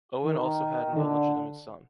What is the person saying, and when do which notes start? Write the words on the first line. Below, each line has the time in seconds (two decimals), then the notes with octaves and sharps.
Owen also had an illegitimate son.
0.24 D#3
0.96 D3